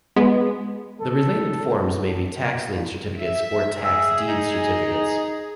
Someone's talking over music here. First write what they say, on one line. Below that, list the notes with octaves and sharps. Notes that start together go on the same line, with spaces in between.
The related forms may be tax lien certificates or tax deed certificates.
G#3 B3
A4
E5
G#4 E5
D#4